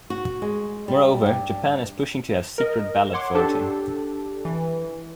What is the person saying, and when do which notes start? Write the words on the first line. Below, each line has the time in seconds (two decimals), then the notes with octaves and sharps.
Moreover, Japan is pushing to have secret ballot voting.
0.10 F#4
0.42 G#3
0.88 G3
1.26 G2
2.58 A#4 D#5
3.13 C#5 F#5 C6 D6
3.35 D4 G4 A4 A5
4.45 E3